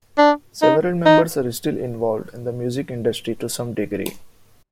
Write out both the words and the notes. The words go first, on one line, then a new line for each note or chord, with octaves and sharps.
Several members are still involved in the music industry to some degree.
D4
D#4
D#4